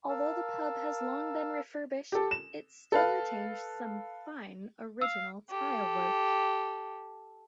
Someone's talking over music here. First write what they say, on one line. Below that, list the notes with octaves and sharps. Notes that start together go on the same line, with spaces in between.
Although the pub has long been refurbished, it still retains some fine original tilework.
A#4 F5 A5 E6
G4 A4
E7
A4 B4 F5
F5 E6
G4 A4